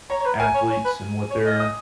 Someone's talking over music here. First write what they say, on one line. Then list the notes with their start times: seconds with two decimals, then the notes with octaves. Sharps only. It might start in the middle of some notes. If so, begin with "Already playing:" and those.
athletes and what they're
0.10 C#5 A#5
0.20 C#5
0.25 B4
0.40 A#4 G#5
0.54 C#5
0.70 C#5
0.85 B4
1.30 C#5
1.45 D#5
1.60 D#6